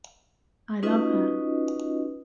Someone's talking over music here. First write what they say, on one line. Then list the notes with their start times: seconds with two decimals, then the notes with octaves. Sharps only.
I love her.
0.83 C#4 D#4 F4 F#4 B4 D#5